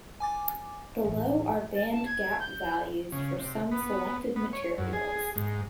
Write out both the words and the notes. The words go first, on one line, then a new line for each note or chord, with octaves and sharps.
Below are band gap values for some selected materials.
G#5 D6 A6
A1
A6
A5
G#6
G6
C#3
C3
B3
B3
C#5
F#2
G#4
G#2